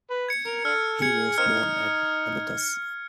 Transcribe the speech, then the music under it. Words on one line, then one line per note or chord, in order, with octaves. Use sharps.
He was born at Amathus.
B4
G#6 C#7
A#4
D4 A4 F6
G#4 G#6 C#7
A#3 C4 D#4 F6